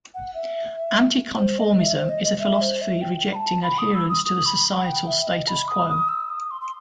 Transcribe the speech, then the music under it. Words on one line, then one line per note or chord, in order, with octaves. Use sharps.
Anticonformism is a philosophy rejecting adherence to the societal status quo.
F#5
E5
C5
D#5
E5
C5
D#5
D#5
E5
C5
E5
G5
B5
A5
B5
D#6
E6
D#6
D#6
B5
F#5
G5
E5
D#5
B5
D#6
D#6
E6
D#6
C6
C6